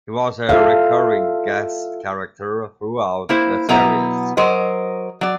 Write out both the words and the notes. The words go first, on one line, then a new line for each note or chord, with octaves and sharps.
He was a recurring guest character throughout the series.
F4 A4 E5 F5
A#3 E4 C5
B2 F#3 B3 E4 A#5
F#3 A#4 C5 D#5
F#3 D5